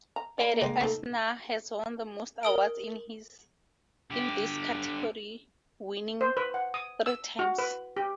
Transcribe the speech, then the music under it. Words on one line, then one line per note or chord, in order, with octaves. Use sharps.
Ed Asner has won the most awards in this category, winning three times.
A#5
A#3 D5 D#5 B5
D#3 G#3
A3 D#4 A4
A#4 D#6 D7
D3 G4
C5
B4
F#5
D#6
E6
F#4
B4
G4